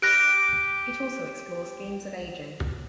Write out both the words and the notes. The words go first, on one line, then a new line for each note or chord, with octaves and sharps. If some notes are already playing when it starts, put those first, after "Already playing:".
It also explores themes of aging.
G4 F6 F#6 A#6 D7